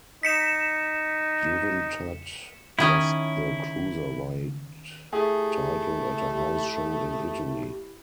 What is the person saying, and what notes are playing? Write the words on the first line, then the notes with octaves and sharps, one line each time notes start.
Juventud lost the Cruiserweight Title at a house show in Italy.
D#4 B6 C#7 E7
D#3 C#4 E4 D#5
A3 E4 G4 G#4